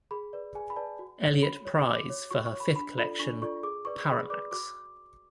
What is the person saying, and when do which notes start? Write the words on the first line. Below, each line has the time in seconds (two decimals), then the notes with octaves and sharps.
Eliot Prize for her fifth collection "Parallax".
0.11 G#4 B5
0.33 B4 D5
0.55 G#4 G#5
0.70 B5
0.76 B4 D5 A5
0.99 F#4
1.21 C#5
1.43 F#4 B5
1.65 C#5
1.86 F#4 D6
2.10 C#5
2.31 F#4 C#6
2.46 C#6
2.53 C#5
2.60 B5
2.75 D4 B5
2.97 F4 A4 D5 B5
3.19 D4 C#6
3.42 F4 A4 D5 C#6
3.63 G#4 D6
3.85 B4 D5 C#6
4.07 G#4 B5
4.30 B4 D5 D6
4.51 F#4 D6